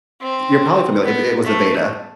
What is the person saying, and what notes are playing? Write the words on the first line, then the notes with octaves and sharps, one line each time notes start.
you're probably famil it was Aveda.
C4
B3
A3